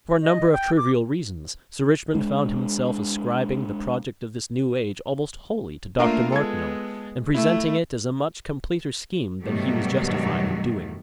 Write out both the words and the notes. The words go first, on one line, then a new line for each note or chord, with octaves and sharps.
For a number of trivial reasons Sir Richmond found himself ascribing the project of this New Age almost wholly to Dr. Martineau, and presenting it as a much completer scheme than he was justified in doing.
D#5
G5
D6
G#3 D4
A3 A#3 D4 F4 A#4 F5
G#3 B3 A4 G#6
A3 E4
G2 B2 D#3 F#3 G3 A3